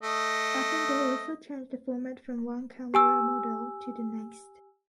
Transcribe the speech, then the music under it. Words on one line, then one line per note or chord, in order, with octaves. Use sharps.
Often they also change the format from one camera model to the next.
A3 D#5
G4 G#5 E6